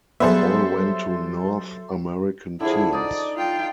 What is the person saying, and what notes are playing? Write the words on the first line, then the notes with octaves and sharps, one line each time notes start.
All went to North American teams.
F#3 G3 B3 C#4 G#4 A4 C5 E5
D3 F3 E4 G#4
D#4 D5 D#5
F4 G5